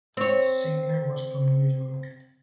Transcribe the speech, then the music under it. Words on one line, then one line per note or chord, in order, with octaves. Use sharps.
Singer was from New York.
C4 C#5